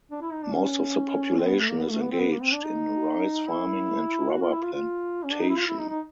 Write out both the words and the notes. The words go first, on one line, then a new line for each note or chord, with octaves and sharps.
Most of the population is engaged in rice farming and rubber plantation.
D4
E4
D#4
D4
C#4
C4
B3
A3
A#3
B3
A3
B3
C4
B3
A#3
C4
D4
D#4
E4
F#4
F4
E4
F4
F4
C#4
D4
D#4
E4
F4
E4
D#4
D#4